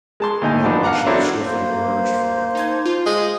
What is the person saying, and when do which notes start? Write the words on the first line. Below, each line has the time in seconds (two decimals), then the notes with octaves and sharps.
Men rushing swiftly emerged from it.
0.20 G#3 A5 C6
0.41 D2 A#2 D#4 G#5
0.63 B2 F3 D4 D#4
0.83 F5 F#5 A#5 D6
1.07 C4 D4 E4 F#4 A4 C#5
1.44 A#3 C5
2.55 D#4 A5 G#6
2.86 F4
3.06 G#3